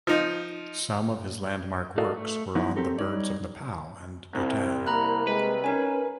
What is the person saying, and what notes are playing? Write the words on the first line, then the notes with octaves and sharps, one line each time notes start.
Some of his landmark works were on the birds of Nepal and Bhutan.
F3 D#4
F#4 A4 A#4 D5 D#5 F5
A3
F3 B3 D#4 E4
C4 G4 A4 A#4
G3 A3 D#4 C#5 D5
C2 C4
A#3 A#5 B5 F#6
G#3 B4
C#4 D#4 A#4 G#5